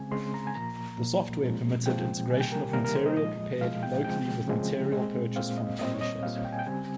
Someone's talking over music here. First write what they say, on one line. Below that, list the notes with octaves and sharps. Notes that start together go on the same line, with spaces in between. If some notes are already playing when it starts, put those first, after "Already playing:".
The software permitted integration of material prepared locally with material purchased from publishers.
Already playing: C#3 G#3 C4 G#5
C#3 G#3 C4 C6
A#5
G#5
A#2 F3 A#3 A#5
A#2 F3 A#3
A#2 F3 G#3 C4
A#2 F3 G#3 C4 G5
C3 D#3 G3 A#3 G#5
G5
A#4
G4
C3 D#3 G3 A#3 A#4
A#4
C5
D#5
A#2 F3 G#3 D#5
A#2 F3 G#3 F5
G5
C#3 F3 G#3 C4 G5
C#3 F3 G#3 C4
A#2 G#3 C4
A#2 G#3 C4 F5
D#5
A#2 G3 C4 D#5
C#5
D#5
A#2 G3 C4 F5
G5
G#5
G5
C#3 G3 C4 G#5